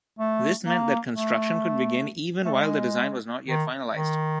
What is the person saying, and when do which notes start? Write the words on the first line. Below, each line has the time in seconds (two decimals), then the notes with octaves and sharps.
This meant that construction could begin even while the design was not yet finalized.
0.19 A3
0.66 A#3
1.12 A3
2.45 A3
2.53 G#3
3.48 D#3
3.95 D#3